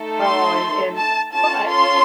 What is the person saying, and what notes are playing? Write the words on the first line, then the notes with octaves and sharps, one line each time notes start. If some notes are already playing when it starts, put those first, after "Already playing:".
Oh, and and but
Already playing: A3 D#4 A4
C6
A5
C#4 F4 A4 A5
C6